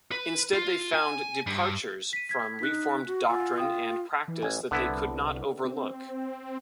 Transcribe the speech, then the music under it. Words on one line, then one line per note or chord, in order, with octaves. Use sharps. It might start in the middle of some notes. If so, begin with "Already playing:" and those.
Instead they found departures from Reformed doctrine and practice that they could not overlook.
B4
F4
G#5
G2
B6 D#7
G#6 B6
D#4 F#6 B6
F#4
F4 F#5 G#5 E6
F5 G5 D#6
E3
A1 G#5
C2 D3 B3 E4
C4